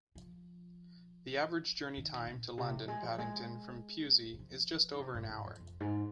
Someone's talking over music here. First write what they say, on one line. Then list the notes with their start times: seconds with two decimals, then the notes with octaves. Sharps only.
The average journey time to London Paddington from Pewsey is just over an hour.
0.15 F3
1.97 D#3
2.27 A#2
2.58 C3
2.72 F3
2.88 G#3
3.02 F3
3.18 G#3
4.34 D#3
4.39 F3
4.93 D#3
4.99 C3
5.15 G#2
5.29 G#2
5.45 F2
5.60 F2
5.80 G#2